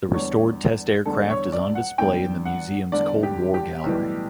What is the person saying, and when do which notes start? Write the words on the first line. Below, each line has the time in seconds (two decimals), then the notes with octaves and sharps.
The restored test aircraft is on display in the museum's "Cold War Gallery".
0.14 E2 D3 G3 C#5
1.05 E2 D3 G3 A4
1.30 C#5
1.52 D5
1.75 F#5
1.98 E2 D3 G3 G5
2.45 F#5
2.92 E2 D3 G3 D5
3.23 G4
3.54 G4
3.84 B1 A2 E3 G3